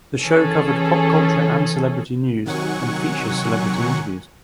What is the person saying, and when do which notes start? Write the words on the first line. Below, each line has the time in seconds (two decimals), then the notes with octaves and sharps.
The show covered pop culture and celebrity news and features celebrity interviews.
0.22 E3 C#4 G#4 A4
2.46 C3 D#3 F#3 F#5 G#5 C#6